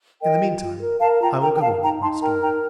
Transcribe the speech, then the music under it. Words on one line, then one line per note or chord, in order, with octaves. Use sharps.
In the meantime, I will go on with my story.
A#4 D#5 G5
F4
F4
A#4
A#4 F5 A5
F4 G5 A#5
A#4 G5 A#5
G5
A#4 F5 A5
D#4 G5 A#5
D#4 A5 C6
A#4 G5 A#5
D#4 G5 A#5